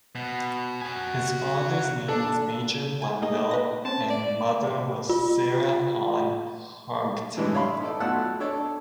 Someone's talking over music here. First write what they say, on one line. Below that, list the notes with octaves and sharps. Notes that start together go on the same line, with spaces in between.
His father's name was Major Blundell and mother was Sarah Ann Haighton.
B2
F#4 G#5
D4 A4
G#5
A#3 D#4 G#4 D#5
B4 A#6
C4 C#4 A5
D5
F4
A2 E3 G3 G#3 D4
C#5 D5 E5 F5 B5 C6
D#4 A4 D5
B1 A3 F4 F#5 A5 E6
D4 A4 C#5 D5